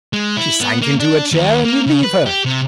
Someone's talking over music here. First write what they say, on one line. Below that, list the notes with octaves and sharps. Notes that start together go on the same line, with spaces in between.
She sank into a chair and you leave her.
G#3
E4
B3
A#3
D4
D#2
A#3
C#3
B4
G4
C3